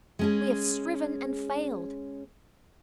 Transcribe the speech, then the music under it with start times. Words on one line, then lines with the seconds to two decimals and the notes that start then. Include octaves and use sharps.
We have striven and failed.
0.19 G#3 C#4 G#4